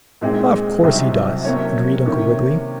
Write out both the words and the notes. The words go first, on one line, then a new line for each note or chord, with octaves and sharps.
"Of course he does," agreed Uncle Wiggily.
A#2 G#3 C4 D#4
C2 C3 F#3 C4 D#4
C3 F#3 A#3 C#4 C#5
C3 D#3 A#3 C#4